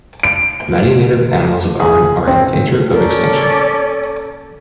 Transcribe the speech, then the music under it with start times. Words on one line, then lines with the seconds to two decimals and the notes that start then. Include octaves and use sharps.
Many native animals of Aran are in danger of extinction.
0.23 D7
1.80 G#4
2.27 C4
2.94 C#4 A4 A#4 D5